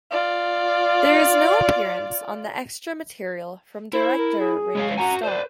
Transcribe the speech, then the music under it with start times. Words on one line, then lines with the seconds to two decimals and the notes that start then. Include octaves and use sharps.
There is no appearance on the extra material from director Ringo Starr.
0.11 F4 D5
3.93 E4 C5
4.18 A#4
4.39 G#4
4.75 G#3 C#5 F5
4.98 F#4 F#5 G#5 A#5
5.23 B4 C5 D5